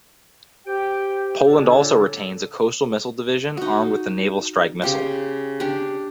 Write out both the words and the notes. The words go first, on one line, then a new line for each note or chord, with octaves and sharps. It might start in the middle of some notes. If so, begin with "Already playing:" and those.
Poland also retains a Coastal Missile Division armed with the Naval Strike Missile.
G4 C5 G5
A#2 D3 D4 A4 C#5
D#4 F#4
C#3 G4 C5
D4 G4